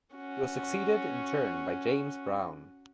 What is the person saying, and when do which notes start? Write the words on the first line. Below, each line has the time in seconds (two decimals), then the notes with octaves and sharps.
He was succeeded in turn by James Brown.
0.15 C#4 F#4